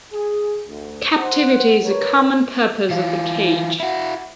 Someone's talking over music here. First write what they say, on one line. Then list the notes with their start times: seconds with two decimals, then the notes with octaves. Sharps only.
Captivity is a common purpose of the cage.
0.12 G#4
0.67 D2
1.18 C5 F#5
1.83 D3 A#4 B4 C#5
2.90 E3 F4
3.80 E4 F#4